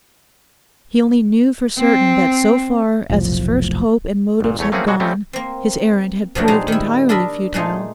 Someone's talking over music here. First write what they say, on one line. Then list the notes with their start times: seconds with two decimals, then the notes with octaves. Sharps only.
He only knew for certain that so far as his first hope and motives had gone his errand had proved entirely futile.
1.78 C4
3.10 F1 B1 A2 F3
4.40 G1 A#2
4.59 E2 A3 C#5
4.72 A3 A#3 C4 C#4 F#4 G#4
4.87 B2 F#3 G#3 F#4
5.00 G3 A3 C4 C#4
5.33 A#3 C4
6.35 B2 F3 F#3 A3 D4
6.48 A#2 G3 G#3 D#4
6.68 D#3 E4
7.09 D4 A4 A#4 D#5 B5
7.54 A#2 G#3 A3 D#4